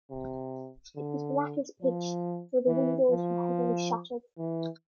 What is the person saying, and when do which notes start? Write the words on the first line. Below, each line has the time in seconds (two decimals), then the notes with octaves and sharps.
It was black as pitch, for the windows were heavily shuttered.
0.10 C3
0.96 D3
1.82 F3
2.67 E3
3.10 F3
4.38 E3